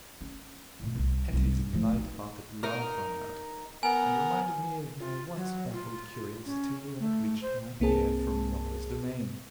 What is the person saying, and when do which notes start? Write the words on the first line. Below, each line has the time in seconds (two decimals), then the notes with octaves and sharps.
Etty's light-hearted laugh rung out, and reminded me of my once baffled curiosity when it reached my ear from Norah's domain.
0.21 C#4
0.80 A1 A#2
0.95 C2 C3
1.33 C2 G3
1.73 A2 F3
1.93 C4 D#4
2.63 D#4 A#4
3.83 B3 A#4 G#5
5.00 F4
5.36 F#3
5.73 F4
6.46 C#4
7.00 A3
7.42 C5
7.80 C2 A#3 C4 G#4 A5